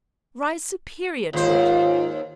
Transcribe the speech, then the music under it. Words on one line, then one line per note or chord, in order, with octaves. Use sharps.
Rise superior to it.
D#2 G#2 F4 C5